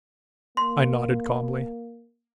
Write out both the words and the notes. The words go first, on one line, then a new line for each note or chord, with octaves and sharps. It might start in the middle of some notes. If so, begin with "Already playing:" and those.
I nodded calmly.
A#3 C6